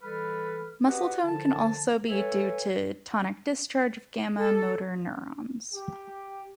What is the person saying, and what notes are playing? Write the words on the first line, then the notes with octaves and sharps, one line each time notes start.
Muscle tone can also be due to tonic discharge of gamma motor neurons.
E3 G3 A4 B4 B5 F6
F#4 G4 B4 D#5 F#5
D3 D#3 F3 A5
A4 B4 C#5 E5 G#5
A4
G4